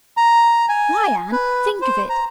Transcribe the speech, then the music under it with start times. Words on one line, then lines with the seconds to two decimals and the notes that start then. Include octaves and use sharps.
Why, Anne, think of it!
0.17 A#5
0.69 G#5
1.32 B4
1.82 C5
2.10 A#5